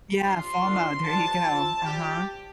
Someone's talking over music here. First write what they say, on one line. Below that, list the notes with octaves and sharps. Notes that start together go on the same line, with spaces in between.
Yeah, FOMO, there you go, uh-huh.
C3 F3 D4 F4 C6
D3 F3 D4 F4
G2 D3 F3 D4 F4 A5
F3 C4 F4
C3 G3 F4 G4